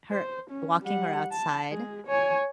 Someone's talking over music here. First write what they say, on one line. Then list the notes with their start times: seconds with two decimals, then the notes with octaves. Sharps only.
her walking her outside,
0.11 C5
0.50 C#4
0.82 G3 F#5
1.31 A5
1.70 G#3 G#4
2.07 C#5 G#5